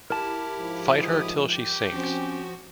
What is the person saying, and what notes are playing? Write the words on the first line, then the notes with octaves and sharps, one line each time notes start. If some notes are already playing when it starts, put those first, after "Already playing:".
Fight her till she sinks.
E4 G4 A#4 A5
G#2 F3
D#6
G4
F3 C4 C#4 F#4